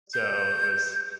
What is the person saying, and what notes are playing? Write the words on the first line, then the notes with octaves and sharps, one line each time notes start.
So, it was
G6